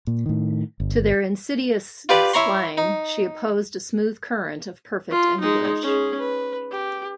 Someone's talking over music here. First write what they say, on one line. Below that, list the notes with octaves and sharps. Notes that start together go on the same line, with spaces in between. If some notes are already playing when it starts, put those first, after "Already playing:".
To their insidious slang she opposed a smooth current of perfect English.
A#2
A2 D#3
G1
F4 G4 B4 D5
E4 C#5 A#5 C6
D#4
F4
G#3 D#4
C#4 G#4
B4
G4